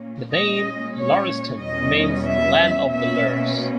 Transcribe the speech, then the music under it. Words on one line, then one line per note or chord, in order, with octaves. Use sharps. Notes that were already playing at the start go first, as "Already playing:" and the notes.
The name "Lorestan" means "land of the Lurs".
Already playing: A#2 A#3 C#4
A#2 G#3 C#4 D#5
C#5
E2 B2 G3 C#4 D#5
E5
B2 A#3 C#4 E5